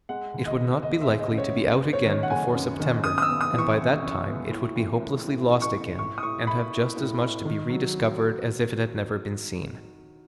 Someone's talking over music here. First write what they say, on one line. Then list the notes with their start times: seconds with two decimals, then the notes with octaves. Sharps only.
It would not be likely to be out again before September, and by that time it would be hopelessly lost again, and have just as much to be rediscovered as if it had never been seen.
0.09 G#3 F#5
0.34 D#2
0.46 D#5
0.58 B3
0.82 D#2 D#5
1.01 E5
1.07 G#3
1.19 D#5
1.32 C#3
1.38 C#5
1.57 F#2
1.80 F#2
1.93 C#5
2.05 D#3
2.23 F#5
2.30 F#1 G#5
2.55 F#2
2.79 D#3
3.03 F#2 D#6
3.18 D#6
3.22 E6
3.29 B3
3.41 D#6
3.53 E3
3.58 C#6
3.77 E3
4.02 F#2
4.27 B3
4.51 A2
4.76 A1
5.00 A2
5.24 A2
5.50 A1
5.62 C#6
5.74 A2
5.98 A2 C#6
6.18 D#6
6.22 A2 C#6
6.47 E4 B5
6.72 E4
6.96 A2
7.21 A2
7.45 D#3
7.70 F#3